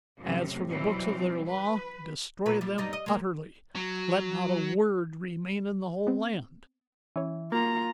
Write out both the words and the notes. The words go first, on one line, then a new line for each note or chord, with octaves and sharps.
'As for the Books of their Law, destroy them utterly; let not a word remain in the whole land.
F#2 A2 C3
B2 E3 F#3 G3 C4
B4
A#2 F#3 B4
A#2 G3
G2 G3 D#4
D#5
G#3 A#3
F#3
B3 C4
E3 C#4 C#5
A#3 F4 A#5